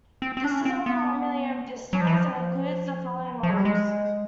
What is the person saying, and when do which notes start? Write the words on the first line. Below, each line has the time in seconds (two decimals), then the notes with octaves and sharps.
This is around one million pistols and includes the following models.
0.22 C4
0.37 C4
0.44 D4
0.51 C#4
0.65 C4
0.86 B3
1.93 F#3
2.01 F3
2.07 E3
2.14 F3
3.43 F3
3.50 F#3
3.57 G3
3.65 G#3